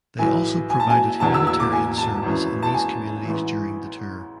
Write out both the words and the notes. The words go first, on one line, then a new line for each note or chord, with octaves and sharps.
They also provided humanitarian service in these communities during the tour.
B1 A2 E3 G#5
G#5
A5
G#5
E1 E2 D3 A5
E6
E6
D6
G#5
A5
G#1 F#2 E3
A5
G#5
A1 G#2 E3